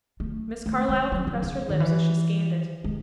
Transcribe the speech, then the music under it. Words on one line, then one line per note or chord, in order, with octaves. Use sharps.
Miss Carlyle compressed her lips as she scanned it.
A3
A3
G#3
F#3
E3
C#3
D#3
E3
G#3